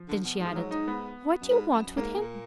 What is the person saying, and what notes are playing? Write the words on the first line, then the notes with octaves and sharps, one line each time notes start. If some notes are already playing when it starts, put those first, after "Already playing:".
Then she added: "What do you want with him?"
Already playing: F3
D3
B2
G#2
F3
F#3
D#4
B3
F#2
G#2
F#2
F#2
G#2 A#3
B2
A#2